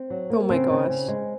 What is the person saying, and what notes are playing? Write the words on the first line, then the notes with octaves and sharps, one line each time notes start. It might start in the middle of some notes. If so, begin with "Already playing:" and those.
Oh my gosh.
Already playing: C4
F#3
A#3
C#3 C4
C#3
C#3
G#3